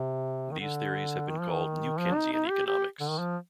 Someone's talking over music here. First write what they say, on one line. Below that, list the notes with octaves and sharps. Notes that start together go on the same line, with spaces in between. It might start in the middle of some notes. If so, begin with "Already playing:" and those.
These theories have been called new Keynesian economics.
Already playing: C3
D#3
D3
D#3
F3
D#3
F3
D#4
D#4
G4
G4
D3
D#3
F3